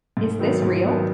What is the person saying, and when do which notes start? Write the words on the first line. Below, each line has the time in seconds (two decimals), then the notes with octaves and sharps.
Is This Real?
0.17 G#2
0.39 D#3 F#3 B3
0.62 G#2
0.85 D#3 F#3 B3